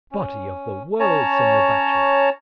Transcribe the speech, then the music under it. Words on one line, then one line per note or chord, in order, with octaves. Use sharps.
Body of the world, senor bachelor!
C#4
C#4 C#5 A5 A#5